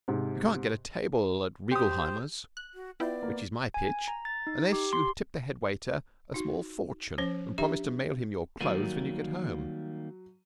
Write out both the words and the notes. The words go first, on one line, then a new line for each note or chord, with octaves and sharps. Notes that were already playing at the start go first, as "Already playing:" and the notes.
You can't get a table at Reigelheimer's, which is my pitch, unless you tip the head waiter a small fortune and promise to mail him your clothes when you get home.
G#2 C3
G4 C5 D#6
F#6
F#4
B3 E4 F4 D5 G5
A#3
G#5
A#5
A6
D#4
G4
C6
D#4 F#4
F3 C#4 C5
D4 G4 E5
D#3 F#3 G3 A#3 D#7